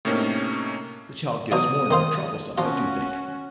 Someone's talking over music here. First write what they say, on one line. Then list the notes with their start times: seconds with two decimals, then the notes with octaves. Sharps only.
The child gets more and more troublesome, I do think.
0.05 A2 C3 A#3 C#4 D#4
1.52 B2 F#3 F5 D#6
1.91 D#3 C5 F5
2.58 F3 C#4 F4 F#4